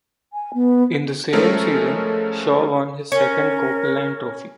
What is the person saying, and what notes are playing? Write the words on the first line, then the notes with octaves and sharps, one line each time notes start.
In the same season, Shaw won his second Copeland Trophy.
G#5
B3
F3 G#3 A3 C#4 A#4
C#4 A#4